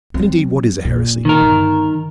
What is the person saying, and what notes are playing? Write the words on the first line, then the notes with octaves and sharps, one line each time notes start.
And, indeed what is a heresy?
F#3 C4
A#2
D#3 A#4
G1